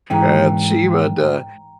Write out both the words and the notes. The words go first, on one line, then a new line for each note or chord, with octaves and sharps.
And she would, uh
G#2 E3 C#4 G5 A#5